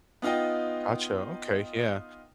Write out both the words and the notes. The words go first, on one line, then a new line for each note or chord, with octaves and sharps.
Gotcha, okay, yeah,
B3 D#4 F4 D#5 G5